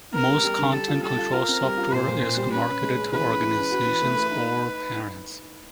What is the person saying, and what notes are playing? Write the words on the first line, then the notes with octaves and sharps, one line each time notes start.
Most content control software is marketed to organizations or parents.
B3 A#4
G3
G3
D3
G3 A4
F4
G3 A4
F4
F4 A#4
C4
G3
F4
A#2 C5
A#2
A#2
G3
C#4 B4
C#4
G#3
G#3
E3 B4
C#4
E3
C#4
F#4
E3
A3
A3
D#4